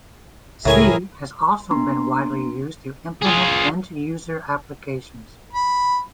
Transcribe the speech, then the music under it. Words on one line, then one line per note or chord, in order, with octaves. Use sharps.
C has also been widely used to implement end-user applications.
C#2 A2 E4 G#4 A#4 C#5 G#5
A#3 B3 D4 A#5 C6
F4 G#4
B5